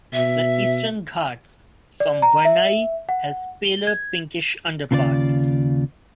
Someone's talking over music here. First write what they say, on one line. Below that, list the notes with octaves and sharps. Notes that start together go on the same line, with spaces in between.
The Eastern Ghats form "vernayi" has paler pinkish underparts.
B2 E5
D5
A#5
E5
F#5
G7
G#6
D#2 C#3 F4 A#4 D5